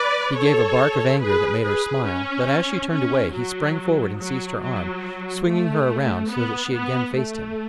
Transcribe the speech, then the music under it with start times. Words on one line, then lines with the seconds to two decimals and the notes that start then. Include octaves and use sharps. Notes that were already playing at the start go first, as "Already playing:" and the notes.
He gave a bark of anger that made her smile, but as she turned away he sprang forward and seized her arm, swinging her around so that she again faced him.
Already playing: B4 D5
0.36 A4 C#5
1.21 G#4 B4
1.63 G#4 B4
2.06 C#4
2.91 C#4
3.33 F#3
4.18 F#3
4.61 F#3
5.45 A3
6.30 B3
6.74 B3
7.16 A3